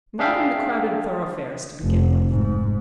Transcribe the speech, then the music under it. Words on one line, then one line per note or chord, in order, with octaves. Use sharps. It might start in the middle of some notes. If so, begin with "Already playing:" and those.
Not in the crowded thoroughfares, to begin with.
D4 G#4 E5 F5 G5
F1
G#2